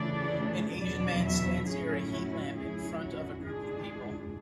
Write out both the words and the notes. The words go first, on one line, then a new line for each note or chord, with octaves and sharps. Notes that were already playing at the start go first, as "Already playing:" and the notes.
An Asian man stands near a heat lamp in front of a group of people.
Already playing: C#3 E3 A3 D4 D5
E2 B2 F#3 D5
E5
A2 F#3 C#4 E4 G#4
F#4
A2 F#3 C#4 E4 G#4
F#4
G#2 G#3 D4 G#4